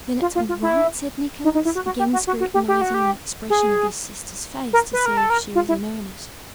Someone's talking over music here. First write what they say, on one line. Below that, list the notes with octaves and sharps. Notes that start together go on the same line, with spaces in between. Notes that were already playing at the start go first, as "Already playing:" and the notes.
"Then it's all right?" said Nicholas, again scrutinizing the expression of his sister's face to see if she was in earnest.
F4
F4
F4
E4
D#4
D#4
E4
F#4
F#4
G4
F#4
F#4
F#4
G4
G4
F#4
G4
G#4
A#4
B4
A#4
A4
A#4
F4
E4